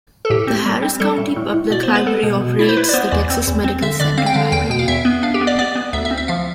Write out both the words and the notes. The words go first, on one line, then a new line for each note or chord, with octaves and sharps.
The Harris County Public Library operates the Texas Medical Center Library.
A4
A2 G4
C4
G3
C4
G3 A4
A2
A2
A2
B2 D5
B3 C5
B4
B3 A4
B2
B2
E4 D5
C5
E4 B4
D5
B3 C5
E2 D5
C4
E2
C4
D3 E5
D3 D5
C4 F5
G5
D3 F5
E2 G5
B2 G5
F5
E2 E5
B3
D4 F5
G4
B3
D5
B3 D5
B3
D2 E5
E5
C4
E5
F3 F5